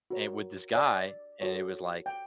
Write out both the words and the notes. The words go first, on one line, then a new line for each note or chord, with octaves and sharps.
and with this guy, and it was like,
F#4 A#4 C#5
D5
F#4 A4 C#5
G5